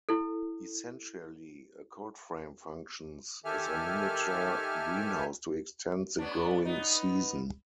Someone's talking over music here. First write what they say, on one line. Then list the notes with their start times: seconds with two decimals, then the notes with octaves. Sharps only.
Essentially, a cold frame functions as a miniature greenhouse to extend the growing season.
0.09 E4 A4
3.45 D#3 G4 A4 E5 G#5 F6
6.19 B3 C#4 D4
6.65 B3 D#4